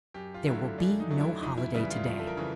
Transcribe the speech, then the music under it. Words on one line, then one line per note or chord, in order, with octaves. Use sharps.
There will be no holiday to-day.
F#2 G4
F4
D3 F#3 A3 E4
F#2 D4
D#4
D3 F#3 A3
E4
F2 D#4
E4
C#3 E3 G3 E4
F4
F2
A4
A#4
C#3 E3